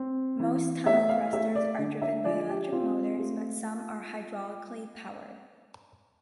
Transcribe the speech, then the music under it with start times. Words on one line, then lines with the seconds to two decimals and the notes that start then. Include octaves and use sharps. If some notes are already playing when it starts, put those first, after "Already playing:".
Most tunnel thrusters are driven by electric motors, but some are hydraulically powered.
Already playing: C4
0.40 E3
0.86 A3 E5
1.09 F5
1.33 A3 E5
1.55 D5
1.78 D3
2.02 E5
2.25 F3 D5
2.49 G4
2.72 C4 F4
3.19 A3